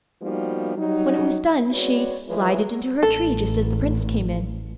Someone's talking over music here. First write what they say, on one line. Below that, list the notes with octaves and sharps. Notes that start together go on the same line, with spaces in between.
When it was done she glided into her tree just as the prince came in.
F3 G3 A#3 B3 D#4 F#4
F#3 G3 D#4
G#3 C4 F#4 B4 C#5 D5
E3 F3 G#3 E4 B4 C#5
A1 A4